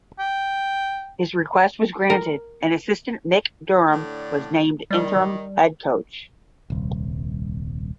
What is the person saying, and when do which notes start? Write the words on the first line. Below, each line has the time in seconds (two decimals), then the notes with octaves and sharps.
His request was granted and assistant Mick Durham was named interim head coach.
0.19 G5
2.10 A#4
3.91 A2 D3 D4
4.90 D#3 G3
6.70 D#1 C2